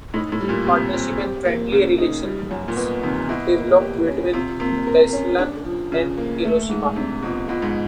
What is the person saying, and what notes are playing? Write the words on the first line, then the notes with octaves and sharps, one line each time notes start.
Partnership and friendly relations developed between Beslan and Hiroshima.
A2 D#4
A2
G3
A#2
C3 G4
C4
G4
A#3
C#3 A#3
D#4
G3
F#2
A#2
B2 B3
C3 D#3
B2 E4
A#3
G4
C#4
C3 F4
C3 A#3
A#4
C#4
D4
F3
C#3 F3
A#3
A3
G#2
C3 D4
B2 F3
B2 F4
G#2